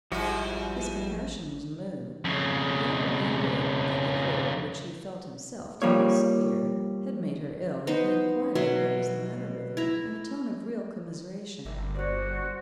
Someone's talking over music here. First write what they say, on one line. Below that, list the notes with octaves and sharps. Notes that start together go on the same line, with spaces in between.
His compassion was moved; he apprehended that the cold, which he felt himself to be severe, had made her ill, and he inquired what was the matter with her, in a tone of real commiseration.
A1 G#2 F3 G3 E4 F#4
F2 C#3
F3 G3 A#3 C#5
B3 D#4 C5
B2 F#3 E5 C6
E4 A#5
G1 A#3 E5
C#4 F#4 C5 D5